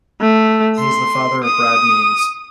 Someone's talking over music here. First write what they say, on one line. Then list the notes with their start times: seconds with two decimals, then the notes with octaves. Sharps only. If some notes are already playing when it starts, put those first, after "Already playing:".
He is the father of Brad Means.
0.20 A3
0.80 C6
1.44 D#6